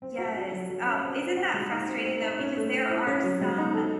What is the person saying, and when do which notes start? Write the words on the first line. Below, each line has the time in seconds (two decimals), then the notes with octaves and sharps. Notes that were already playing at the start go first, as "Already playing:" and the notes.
Yes, oh, isn't that frustrating, though, because there are some
0.02 C4
0.18 F#4
0.36 F#4
0.52 F#3
0.70 F#3
0.86 C#4
1.03 C4
1.20 C4
1.37 F#4
1.54 G#3
1.72 D#4
1.88 C4
2.05 C4
2.22 D#4
2.39 C#4
2.56 A3
2.72 C4
2.89 E4
3.07 C#4
3.24 F#3
3.41 G#3
3.58 D#4
3.74 A4